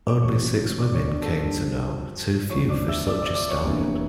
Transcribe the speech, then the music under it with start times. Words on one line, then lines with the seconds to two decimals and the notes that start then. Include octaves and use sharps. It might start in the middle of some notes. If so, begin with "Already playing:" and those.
Only six women came to know, too few for such a stallion.
0.08 D5 D6
0.22 E1 E2 C#3 C#5 C#6
0.79 D5 D6
0.94 C#5 C#6
1.07 D4 D5
1.21 A4 A5
1.37 G2 D3 F3
2.50 E1 D2 D3 F3 C#5 C#6
2.69 D5 D6
2.88 E5 E6
3.07 D5 D6
3.22 D5 D6
3.35 D5 D6
3.49 C#5 C#6
3.63 F1 E2 E3 A#3 D4